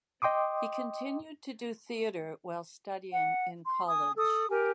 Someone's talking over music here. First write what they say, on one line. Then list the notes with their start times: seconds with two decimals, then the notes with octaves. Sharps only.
He continued to do theatre while studying in college.
0.22 D#5 G5 C6 D6 D#6
3.12 F#5
3.64 C6
3.87 G#5 D#6
4.17 A4 D#6
4.50 G4 A#4 G#5